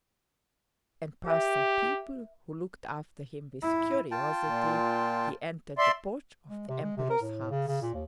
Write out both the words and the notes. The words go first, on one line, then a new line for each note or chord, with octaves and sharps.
And passing people who looked after him with curiosity, he entered the porch of the Emperor's house.
G4 A#4 E5
E4
F4 G5 A5
A#2
D5 E5 C6
G#3
C3
G#3
C3
A#4
A2
C#3
C#3
A#2
D#2